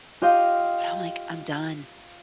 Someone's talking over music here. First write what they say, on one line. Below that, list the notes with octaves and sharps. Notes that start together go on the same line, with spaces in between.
but I'm like, "I'm done.
F4 G4 D#5 F5 G5